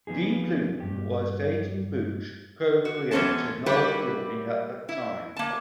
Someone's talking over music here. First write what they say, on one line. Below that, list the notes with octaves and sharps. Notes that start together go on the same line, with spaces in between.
Dee Plume was dating Boosh co-creator Noel Fielding at that time.
F3 B3 D#4 G#4
G2 G4
F#4
E2 G#3 C#4 A4 A5
G3 A#3 E4 F#4 G4 B4
E4
A#3 A5